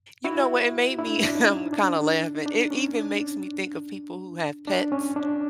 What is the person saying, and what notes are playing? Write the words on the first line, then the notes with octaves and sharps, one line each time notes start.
You know what, it made me, um, kinda laughing, it even makes me think of people who have pets,
E4 F#4
D4 E4
D4
C#4 D#4
D4
D#4
D4
C#4
D4
D4
C#4
D4